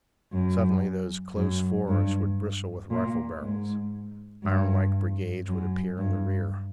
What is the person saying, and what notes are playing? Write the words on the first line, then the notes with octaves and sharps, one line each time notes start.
Suddenly those close forests would bristle with rifle barrels. Ironlike brigades would appear in the rear.
F#2
F#2
G2
A#2
G#2
G2
F#2
G2